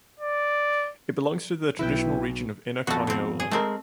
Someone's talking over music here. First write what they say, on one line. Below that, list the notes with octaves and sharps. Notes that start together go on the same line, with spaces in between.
It belongs to the traditional region of Inner Carniola.
D5
B1 E4 B4 G5
F2 B2 A3 F#4
A2 C4
G#4
G#3 A3 C4 A#4